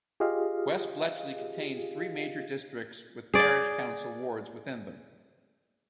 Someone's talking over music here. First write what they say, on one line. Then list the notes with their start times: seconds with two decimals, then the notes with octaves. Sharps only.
West Bletchley contains three major districts with parish council wards within them.
0.20 F4 G4 G#4 D#5 F5
3.34 G#4 D5